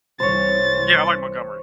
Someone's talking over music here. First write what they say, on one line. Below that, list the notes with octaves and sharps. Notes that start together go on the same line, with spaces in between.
Yeah, I like Montgomery.
C2 E3 C5 C#5 A6